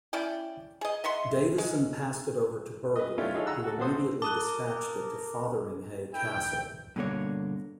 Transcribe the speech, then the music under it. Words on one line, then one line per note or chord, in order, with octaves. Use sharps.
Davison passed it over to Burghley, who immediately dispatched it to Fotheringhay Castle.
C#4 E4 D5 G5
G#4 D#5
D#5 E5 F#5 C6
G#3
B4 D#5
A3 C#4 D4 E4 F4 G4
D#4 F4 G#4 A4 C#5
G#4 F#5 A#5 E6 F#6
F#4 A4
A1 B3 F#4 A4 C5 D#6
A#4 A5 D6 D#6 F#6
E4 G5
G2 B2 D3 A#3 C#5